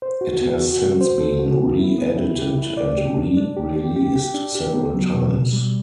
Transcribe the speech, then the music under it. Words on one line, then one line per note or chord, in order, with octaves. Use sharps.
It has since been re-edited and re-released several times.
C5
F#4
B3
F#4
F#4
C5
A4
F#4
B3
E4
B3
E4
G4
E4
D5
G4
D4
D4
G4
G4
G4
G4
D4
G4
B3
F#3
B2
B2
G3